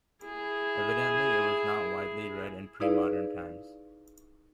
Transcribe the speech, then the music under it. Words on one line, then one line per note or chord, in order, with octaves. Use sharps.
Evidently it was not widely read in pre-modern times.
E4 G#4
D#4 E4 G#4 B4 D5 F5